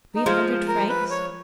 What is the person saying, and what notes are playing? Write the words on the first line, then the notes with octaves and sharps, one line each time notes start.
"Three hundred francs?"
D#4
F3 G#3 F4
A#4
B4
C#5